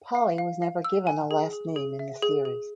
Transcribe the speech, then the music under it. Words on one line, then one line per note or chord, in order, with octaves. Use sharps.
Polly was never given a last name in the series.
F5
F5
F5
E6
G#5
G#4
G#4
G#4
E5
G#4
G#4